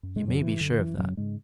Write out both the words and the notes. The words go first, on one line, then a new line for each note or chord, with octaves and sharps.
You may be sure of that.
F#2
G#2 G#3
C#3
F#2 F#3
C#3 E3
F#2 D3
F#2 E3
F#2 C#3 F#3
G#2 C#3 G#3